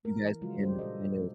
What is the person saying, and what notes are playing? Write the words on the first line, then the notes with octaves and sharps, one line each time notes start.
you guys can kind of,
A#4
E3
C#3 F3 F#3 G#3 F4 F#4
G3 D4 G4 C5
A#2 A4 C5 D#5